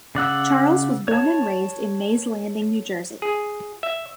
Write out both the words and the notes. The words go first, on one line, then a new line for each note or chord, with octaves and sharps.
Charles was born and raised in Mays Landing, New Jersey.
C#3 D5 F#5 E6
C#5 A5
G#4
E5